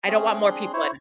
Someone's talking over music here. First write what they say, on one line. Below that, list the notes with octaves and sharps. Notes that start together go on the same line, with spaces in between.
I don't want more people in
A3 C4 C#4 G#4
C4 D4 G#4 C6
E4 C5 C#5